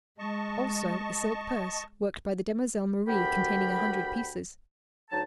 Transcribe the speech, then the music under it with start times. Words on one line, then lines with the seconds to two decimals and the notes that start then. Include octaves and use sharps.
Also a silk purse, worked by the demoiselle Marie, containing a hundred pieces.
0.19 G#3 D#5 A5 C#6
3.07 D2 F#4 G4 A#4 G5 B5
5.10 D2 F#3 D#4 A5